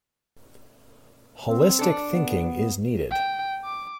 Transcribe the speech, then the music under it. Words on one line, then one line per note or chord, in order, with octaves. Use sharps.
Holistic thinking is needed.
C4
D4 A4
B3
G5
D6